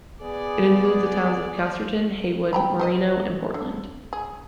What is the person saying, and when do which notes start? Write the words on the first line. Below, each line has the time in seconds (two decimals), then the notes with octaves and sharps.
It includes the towns of Casterton, Heywood, Merino and Portland.
0.22 B3 G#4 D5
2.53 G5 A#5 B5
2.79 D#3 C5 D#5
3.54 D3
4.13 G#4